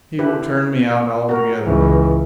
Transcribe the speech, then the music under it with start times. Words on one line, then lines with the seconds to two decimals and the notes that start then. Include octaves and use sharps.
He will turn me out altogether now.
0.19 E4 G4 B4
1.29 F#4 A#4
1.64 C#2 E3